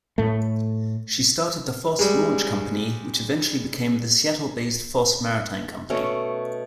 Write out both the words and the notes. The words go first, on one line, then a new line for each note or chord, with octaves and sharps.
She started the Foss Launch Company, which eventually became the Seattle-based Foss Maritime Company.
A2 A3
G3 G#3
B2 A3 C#4 C#5